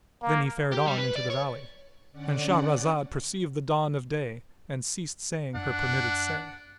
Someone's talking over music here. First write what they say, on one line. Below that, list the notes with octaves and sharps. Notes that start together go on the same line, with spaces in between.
Then he fared on into the valley.--And Shahrazad perceived the dawn of day and ceased saying her permitted say.
A#3
G4
G3
B4
D5
C#5
D3 C#4 D5 F#5
F#2 D4 F#5